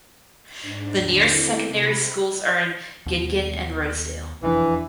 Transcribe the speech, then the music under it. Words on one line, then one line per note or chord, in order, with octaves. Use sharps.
The nearest secondary schools are in Gin Gin and Rosedale.
G#2 D4
D#2 D3
C4 E4 A4 D6
C3 B5
D#2 B2
E1 F2 E3 D4